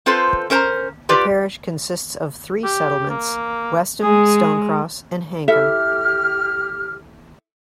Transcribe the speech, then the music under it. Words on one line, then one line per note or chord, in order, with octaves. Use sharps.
The parish consists of three settlements: Westham; Stone Cross; and Hankham.
C4 F4 A4 B4 C5
C#4 A#4 C5 A5 A#5
F4 G4 B4 D5
G4
A#3
G#3 G#4
E4 G4 A4 E5 F6